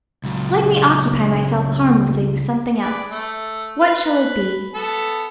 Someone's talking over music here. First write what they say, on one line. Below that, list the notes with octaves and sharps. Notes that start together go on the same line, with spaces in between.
Let me occupy myself harmlessly with something else. What shall it be?
C#2 F#3
G#4 B4 D5
A3
B4
B3 A4 A5